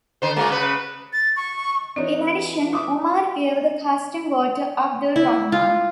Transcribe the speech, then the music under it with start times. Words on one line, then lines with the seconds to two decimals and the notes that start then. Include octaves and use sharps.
In addition, Umar gave the casting vote to Abdur Rahman.
0.22 D3 C5
0.36 F#3 G#3 A#3
0.49 C#3 B4
1.13 A6
1.36 C#6
1.96 E3 C4 D4 D#4 C#5
2.73 E5 D6 D#6
5.16 E4
5.52 F4